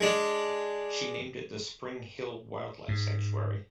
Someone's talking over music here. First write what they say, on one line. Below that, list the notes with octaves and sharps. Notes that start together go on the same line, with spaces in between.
She named it the "Spring Hill Wildlife Sanctuary".
G#3 D4
G#2